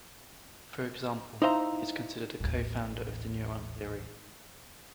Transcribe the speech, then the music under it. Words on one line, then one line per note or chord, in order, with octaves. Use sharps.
For example, he is considered a co-founder of the neuron theory.
D#4 E4 C5 F5 G5 A#5
A1 D#2